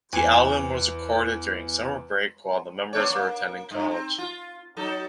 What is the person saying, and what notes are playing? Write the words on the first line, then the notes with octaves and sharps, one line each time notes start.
The album was recorded during summer break while the members were attending college.
E2 G#5
B3 D4 C#5
A#3
G2
C4
F4
F#3 D#4 A4